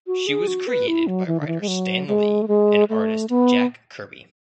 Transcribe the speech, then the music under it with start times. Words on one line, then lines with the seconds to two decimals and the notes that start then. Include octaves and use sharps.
She was created by writer Stan Lee and artist Jack Kirby.
0.07 F#4
0.27 G#4
0.47 F#4
0.67 B4
0.88 E4
1.07 F#3
1.27 E3
1.40 D3
1.47 E3
1.61 G#3
1.68 F#3
2.08 G#3
2.42 A3
2.48 G#3
2.89 A3
3.29 B3